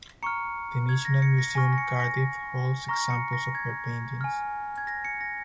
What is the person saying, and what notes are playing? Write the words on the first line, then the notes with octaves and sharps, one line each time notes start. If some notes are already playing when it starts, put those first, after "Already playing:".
The National Museum Cardiff holds examples of her paintings.
A#5 C#6 F6 C#7
G#6
A#6
C#7
A#6
G#5 C#6 F6 A#6
A#6
C#7
A#6
A#5 C#6 F6 A#6
C#7
A#6
G#6
G#5 F6
G#6
A#6
C#7
A#6